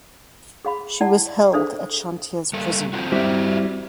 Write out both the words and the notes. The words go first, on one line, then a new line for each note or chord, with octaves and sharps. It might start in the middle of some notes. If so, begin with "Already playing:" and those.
She was held at Chantiers prison.
G#4 F5 B5
E4 D5 F#5 A5
D4 G#4 A4 C5 E5 F5
G3 A#3 A4
C4 F4 F#4
G3 C4 E4 F#4 G4 E5